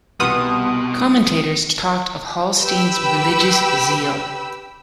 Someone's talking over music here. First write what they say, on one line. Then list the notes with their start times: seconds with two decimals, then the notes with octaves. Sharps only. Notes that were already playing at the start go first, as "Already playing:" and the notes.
Commentators talked of Hallstein's "religious zeal".
0.20 C2 B2 B3 C6 D#6 F6
2.61 G4 B4 G5 B5 E6